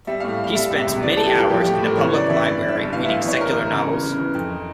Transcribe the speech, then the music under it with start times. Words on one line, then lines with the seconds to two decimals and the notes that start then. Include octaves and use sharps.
He spent many hours in the public library reading secular novels.
0.07 G3 E5
0.20 A2 F5
0.40 A2 F5
0.55 G3 E5
0.71 C#2
0.79 E5
0.87 C#2
1.03 E3 D5
1.17 G3 A4
1.27 G4
1.34 E3 F4
1.50 F3 G4
1.62 G4
1.66 A2
1.73 G4
1.82 A2 A#4
1.97 E3 C#5
2.13 C#3 D5
2.29 E3 E5
2.45 G2 D5
2.61 E3
2.68 E5
2.77 G1
2.93 E3 F5
3.04 A1 E5
3.24 E3 C#5
3.40 G1 A#4
3.55 G1
3.72 C#3
3.88 E3
4.03 C#3
4.19 E3
4.34 F2